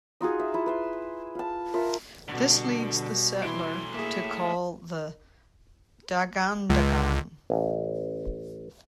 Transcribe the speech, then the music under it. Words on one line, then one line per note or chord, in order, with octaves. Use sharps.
This leads the settler to call the "Dagandagan".
D#4 F4 F#4 G#4
E5
E4 F4
B4 E5 C6
F4 A5
F4 A#4 E5
B2 D3 G3
A2 E3 E4 C6 D7
A#3 G#4 E5
C#2
A1